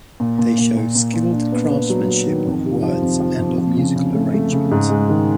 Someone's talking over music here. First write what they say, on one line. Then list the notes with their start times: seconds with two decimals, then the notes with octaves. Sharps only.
They show skilled craftsmanship of words and of musical arrangement.
0.20 A#2
0.38 A#2
0.58 A#2
0.77 A#2
0.95 A#2
1.14 A#2
1.32 D4
1.52 B3
1.71 B3
1.90 F#3
2.08 F#3
2.27 D#3
2.46 F2
2.65 C3
2.83 F3
3.02 F2
3.20 F3
3.39 F2
3.58 F3
3.77 C#3
3.96 C#3
4.14 A3
4.34 A3
4.52 C#3
4.71 G#2
4.89 G#3
5.09 D#3